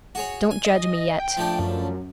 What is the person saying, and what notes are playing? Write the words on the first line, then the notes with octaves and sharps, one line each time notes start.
Don't judge me yet!
F#4 G#4 C#5
G#5
D#5
G5
F3 A3 D4
F#2